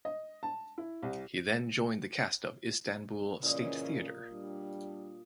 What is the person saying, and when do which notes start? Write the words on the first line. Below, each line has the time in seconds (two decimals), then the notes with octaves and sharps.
He then joined the cast of Istanbul State Theatre.
0.05 D#5
0.43 A5
0.78 E4
1.02 C2
3.43 A#2 C#3 E3 C#4 D#5
4.32 G3 D4